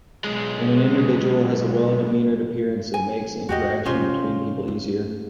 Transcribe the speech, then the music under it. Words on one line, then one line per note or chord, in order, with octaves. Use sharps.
When an individual has a well demeanored appearance it makes interaction between people easier.
B1 G#3
G#5
E2 F#4 G4 D#5
C3 C#4 F4 C5
A3